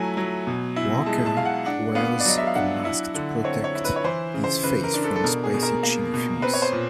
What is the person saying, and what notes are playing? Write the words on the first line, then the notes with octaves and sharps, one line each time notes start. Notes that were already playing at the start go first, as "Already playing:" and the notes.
Worker wears a mask to protect his face from spicy chili fumes.
Already playing: F#3 A3 E4 G#5 A#5
F#3
B2
E4
G#3 A5
A5
G#3 F5
F#5
D4 F#5
B3 F5
D5
F#3 D#5
E5
F5
D4 F#5
E4
D3
C4 C#5
C#5
E4
B4
C#5
E3 C5
C#3
C5
C#3 B4
A#4
D4
A4
A4
B2 A#4
G#4
B2
A#4
A#3
B2
C4 B4
C#5
C5
A#2